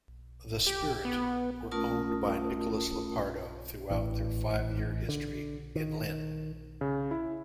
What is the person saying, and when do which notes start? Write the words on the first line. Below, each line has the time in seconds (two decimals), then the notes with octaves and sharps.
The Spirit were owned by Nicholas Lopardo throughout their five-year history in Lynn.
0.67 G4
1.05 B3
1.71 A3 C#4 F4 A#4 A5 D#6
3.91 A1 E3
5.09 D3
5.76 D#3
6.81 C#3
7.11 E4